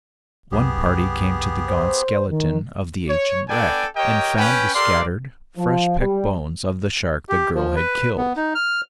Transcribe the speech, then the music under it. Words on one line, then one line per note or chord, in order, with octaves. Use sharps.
One party came to the gaunt skeleton of the ancient wreck, and found the scattered, fresh-picked bones of the shark the girl had killed.
C2 F#2 B3 G4 G#4
C5
D#3
C#5
B3 D4 A4 D5 G5 G#5
G4 A#4 C#5 D#5 G5
C#4 B4 G5
G4 A4 A#4 D5 F5 C6
F3
G3
G4
F3
B4
B3
D#4
F6